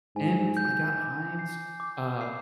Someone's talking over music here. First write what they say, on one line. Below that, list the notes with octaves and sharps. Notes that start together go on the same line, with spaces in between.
And I got hives, uh,
G#2 G#5
G6
D6
C7
D6
C7